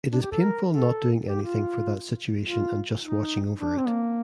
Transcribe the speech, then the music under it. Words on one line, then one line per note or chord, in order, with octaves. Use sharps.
It is painful not doing anything for that situation and just watching over it.
D4
G4
A4
A#4
A4
G4
F4
F4
D#4
D4
C4
A#3